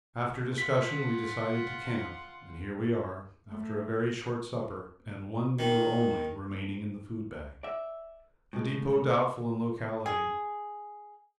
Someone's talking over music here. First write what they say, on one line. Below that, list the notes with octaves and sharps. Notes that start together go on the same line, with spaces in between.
After discussion we decided to camp, and here we are, after a very short supper and one meal only remaining in the food bag; the depot doubtful in locality.
F4 F#5 B6
A3
D#3
D5 E5
A2 G#3
G#4